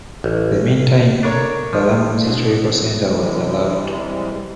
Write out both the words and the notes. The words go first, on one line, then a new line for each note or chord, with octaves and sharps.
In the meantime Palermo's historical centre was allowed to crumble.
A1
A3 D4 A#4 C#5
F3
B2 C4 D4
C3 E3 G3 G#3